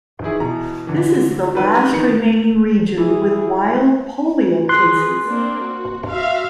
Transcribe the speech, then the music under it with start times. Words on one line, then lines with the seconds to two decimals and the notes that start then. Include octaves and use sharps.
This is the last remaining region with wild polio cases.
0.22 D#3 E3 E4 G#4
0.40 B2 E3 A#5
0.87 D3 E3
1.53 D#3 G3 B4
1.92 D#3 E3 B3 C#7
2.98 E3 E4 G#4
4.69 G#4 B4 C6 F#6
5.26 A#3 C4 D4
5.62 F#4
6.09 F#4 E5 F5